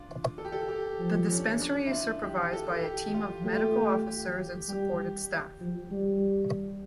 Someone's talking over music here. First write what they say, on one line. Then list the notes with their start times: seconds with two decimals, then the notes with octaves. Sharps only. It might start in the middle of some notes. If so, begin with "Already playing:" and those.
The dispensary is supervised by a team of Medical Officers and supported staff.
Already playing: D4 F4
0.38 A4
0.45 G4
0.52 A4
0.69 G4
1.00 F3
1.30 C#4
1.37 D4
1.45 C#4
1.60 D4
1.86 E4
1.91 F4
2.23 G4
2.53 A4
2.83 G4
3.14 F4
3.45 A3 G4
3.56 F4
3.65 G4
3.76 G4
4.06 G4
4.68 G3 G4
5.61 F3
5.91 G3